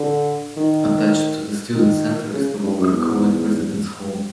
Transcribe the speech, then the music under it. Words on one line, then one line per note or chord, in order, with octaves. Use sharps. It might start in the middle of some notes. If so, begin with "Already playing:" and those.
Attached to the student center is the Walker co-ed residence hall.
Already playing: D3
D#3
D#3
C#3
G2
F#2
E2